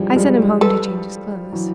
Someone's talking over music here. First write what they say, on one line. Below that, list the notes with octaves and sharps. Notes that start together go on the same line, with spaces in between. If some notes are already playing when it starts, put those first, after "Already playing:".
I sent him home to change his clothes...
Already playing: E3 F3 G3 G#3
G#3
F3 G3
A4 B4
E3 F#3